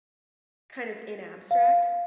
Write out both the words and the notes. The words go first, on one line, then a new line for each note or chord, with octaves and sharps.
kind of in abstract.
F5